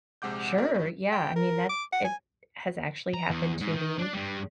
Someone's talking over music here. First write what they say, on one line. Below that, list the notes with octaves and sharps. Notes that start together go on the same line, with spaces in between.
Sure, yeah, I mean, that it has actually happened to me,
A#1 C3 G#3 F#5 D6 G6
F#4 A#4 D5
G2 F#3
G5
A#4
D6
F#5
G#5
A#5
E2
G#2
D#3
D4 D5
G2 G3